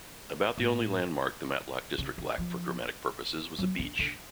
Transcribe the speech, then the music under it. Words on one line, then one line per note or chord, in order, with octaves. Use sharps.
About the only landmark the Matlock district lacked for dramatic purposes was a beach.
A2
C#3
D3
F3
F#3
D3
D3